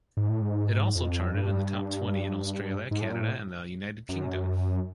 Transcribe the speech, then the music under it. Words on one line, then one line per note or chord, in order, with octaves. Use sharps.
It also charted in the top twenty in Australia, Canada, and the United Kingdom.
G#2
A2
G#2
F2
G2
G#2
A2
A#2
A2
F#2